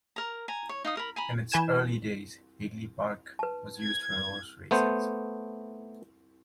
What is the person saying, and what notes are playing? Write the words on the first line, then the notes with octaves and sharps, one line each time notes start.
In its early days, Hagley Park was used for horse races.
A#4 A#5
G#5 A#5
C#5
D#4 F5 D#6
A#4 B5
G#5 A#5 B5
E3 B4 G#5 G6 G#6 E7
B4 A5
G#6
A3 B3 C5